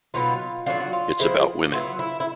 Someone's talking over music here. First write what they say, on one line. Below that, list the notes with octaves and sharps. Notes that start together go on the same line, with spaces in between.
It's about women.
B2 F#3 B3 D#4 F4
F#3 A#3 D4 F4
F#4
F4
F3 G#3 C4 E4
F#3 B3 E4 F4
E4
E4